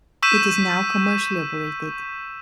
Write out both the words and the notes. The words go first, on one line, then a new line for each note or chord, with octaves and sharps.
It is now commercially operated.
C#6 E6 G6 B6 D#7 E7